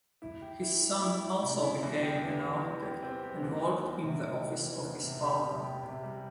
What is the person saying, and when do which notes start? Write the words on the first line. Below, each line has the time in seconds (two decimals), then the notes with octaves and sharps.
His son also became an architect and worked in the office of his father.
0.22 E4
0.42 G4
0.62 E4
0.82 E4
1.02 E4
1.22 E4
1.43 C3
1.62 E4
1.83 E2
2.02 G4
2.23 E3
2.43 E2
2.63 E3
2.82 G4
3.03 C4
3.23 G4
3.43 E2
3.63 E2
3.83 E2
4.03 C3
4.23 C3
4.43 E2
4.63 E3
4.83 E2
5.03 C3
5.24 G4
5.44 C3
5.64 G4
5.83 C3
6.03 G3